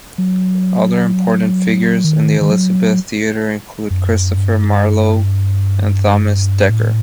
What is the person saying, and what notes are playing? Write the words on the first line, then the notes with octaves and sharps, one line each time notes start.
Other important figures in the Elizabethan theatre include Christopher Marlowe, and Thomas Dekker.
F#3
D#3
D#3
F#3
F#2
G2
A2